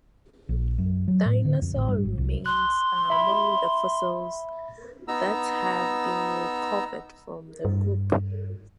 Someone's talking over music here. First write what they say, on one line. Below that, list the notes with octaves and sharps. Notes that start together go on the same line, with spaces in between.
Dinosaur remains are among the fossils that have been recovered from the group.
A#1
F#2
F#3
A2
D3
F2
A1
G2
G#1
C2
C6 F#6
E5 B5
B3 D#4 A#5 E6
G2